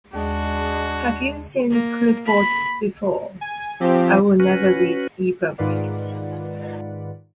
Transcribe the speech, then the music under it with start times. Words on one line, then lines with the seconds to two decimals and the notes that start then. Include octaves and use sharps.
Have you seen Clifford before? I will never read E-Books.
0.14 D#2 G#3 D4 F#4
1.71 A#3
2.27 B5
3.41 G#5
3.80 F3 C4 G4
4.40 C#4 F#4 B4
5.58 G#2 D#3 F4 B4 D5 F#5